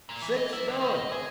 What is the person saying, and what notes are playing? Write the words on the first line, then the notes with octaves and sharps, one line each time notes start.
"Six dollars."
A#2
E3
D#5
E4
D3
D#3
D#5
G#4